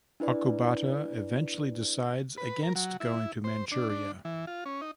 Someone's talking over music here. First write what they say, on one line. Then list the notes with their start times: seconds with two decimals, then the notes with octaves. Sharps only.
Okubata eventually decides against going to Manchuria.
0.20 D4 E4 B4 D5
2.38 B4
2.63 A#4
2.75 F#3
3.00 E4
3.44 C5
3.72 D4
3.89 D4
4.25 E3
4.47 F4
4.66 C#4
4.81 D#4